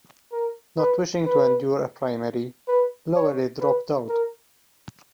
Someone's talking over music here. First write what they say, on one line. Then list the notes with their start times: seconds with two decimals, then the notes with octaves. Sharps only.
Not wishing to endure a primary, Lowery dropped out.
0.32 A#4
0.78 B4
1.26 B4
2.68 B4
3.15 C#5
3.61 B4
4.08 A#4